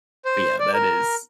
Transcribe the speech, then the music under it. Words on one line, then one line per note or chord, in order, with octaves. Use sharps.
but, yeah, that is
C5
D5
A#4